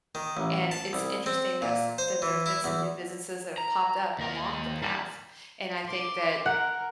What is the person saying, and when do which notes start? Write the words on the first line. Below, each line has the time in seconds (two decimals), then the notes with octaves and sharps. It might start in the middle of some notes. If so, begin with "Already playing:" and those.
And it's interesting that's, that there's been some new businesses that have popped up along the path. And I think that,
0.15 D#3
0.37 A1
0.71 A5
0.93 C2
1.26 C4
1.62 A#2
1.98 C5
2.22 E3
2.46 E4
2.64 E2
3.58 A#5
4.19 D#2 A#4
4.83 G3
5.87 C6 D6
6.46 A#4 F#5